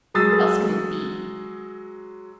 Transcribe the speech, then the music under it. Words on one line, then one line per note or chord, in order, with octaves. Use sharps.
What else could it be?
F#3 G#3 D#6 E6 A6